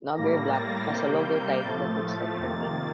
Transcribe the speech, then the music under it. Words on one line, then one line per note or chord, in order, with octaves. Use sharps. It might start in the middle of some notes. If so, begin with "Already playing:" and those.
Nogger Black has a logotype that looks like graffiti.
A2 G3 A#3 A#6
A6
C3 G3 A#3 G6
A2 F3 A3 A6
A6
F2 C3 D#3 A#3